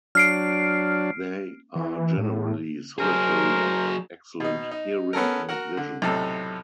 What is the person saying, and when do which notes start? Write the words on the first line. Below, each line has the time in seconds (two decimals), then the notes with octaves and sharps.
They are generally solitary and have excellent hearing and vision.
0.15 F#3 D4 F6 C7 D7
1.75 E3
2.18 A2
2.98 F#3 G#4 A#4 C5
4.40 B2 D#4
4.71 D#4
5.13 B3 C#4 A4 A#4
5.49 F#4 A#4 F#5
5.77 D3
6.02 B1 A2 C3 A4